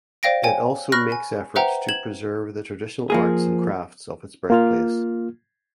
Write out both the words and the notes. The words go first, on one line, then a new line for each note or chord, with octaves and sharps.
It also makes efforts to preserve the traditional arts and crafts of its birthplace.
C5 D5 F5 G5 A#6 D7
C#5 G5 G#5
B5 C#6 F6 F#6 A#6
G#5
B4 C5 E5 F#5 G5 A#5
G#6 E7 F#7
F3 A#3 G#4
A#3 F4 F6